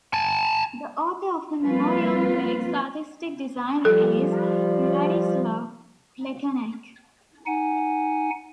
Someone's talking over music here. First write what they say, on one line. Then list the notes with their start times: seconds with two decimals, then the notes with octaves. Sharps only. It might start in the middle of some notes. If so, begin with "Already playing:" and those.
The author of the memorial plaque's artistic design is Vladislav Plekanec.
0.13 G#5 A5
1.62 F3 G3 A#3 C4 F4 B4
3.85 F3 G3 A4
7.46 D#4 F#5 G#5